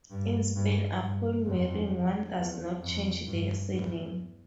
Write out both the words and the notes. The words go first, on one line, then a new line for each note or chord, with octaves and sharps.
In Spain, upon marrying, one does not change their surname.
G2
G2
G2
F2
E2
F2
G2
E2